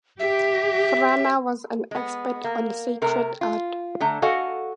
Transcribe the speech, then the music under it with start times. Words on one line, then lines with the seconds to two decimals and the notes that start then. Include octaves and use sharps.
Frana was an expert on sacred art.
0.20 G4 E5
1.91 G#3 B3
2.44 A#3
3.02 C3 A3 A#4
3.41 F4
4.00 D3 A3 A#5
4.22 F#4 A4 D#5 F5 F#5 G#5